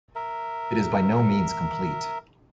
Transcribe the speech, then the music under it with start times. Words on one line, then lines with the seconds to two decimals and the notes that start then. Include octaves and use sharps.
It is by no means complete.
0.16 A#4 E5